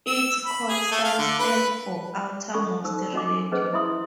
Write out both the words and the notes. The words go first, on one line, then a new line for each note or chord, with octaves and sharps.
Its call-sign stands for "OuterMost Radio".
E6
B5
G#4
A3
F5
D3
B4
C#4 A4 D5 B5 C#6
D#4 C5 E6
C#4 F#4 D#5 G#5 D6
C#4 G#4 B4 C5 D5 D#5
E4 D#5 E5 B5 C6 D#6